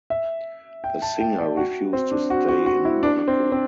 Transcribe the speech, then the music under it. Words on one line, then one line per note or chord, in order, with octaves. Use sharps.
The singer refused to stay in Baku.
E5
G5
A5
G5
D5
F#4
C4
D4
F#4
F#4
F#4
E4
D4
C4
C4